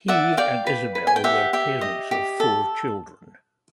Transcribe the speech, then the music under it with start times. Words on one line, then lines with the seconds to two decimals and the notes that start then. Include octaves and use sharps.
He and Isabel were parents of four children.
0.08 D5 E5 F#5
0.37 D5 F5 G5
0.67 B4
0.95 B4
1.07 G#5
1.16 G5
1.24 G4 E5 F#5
1.53 G4 E5
1.81 D#5
2.11 G4
2.40 A4